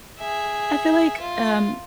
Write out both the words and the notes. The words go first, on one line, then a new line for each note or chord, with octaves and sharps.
I feel like, um,
G#4 E5
F4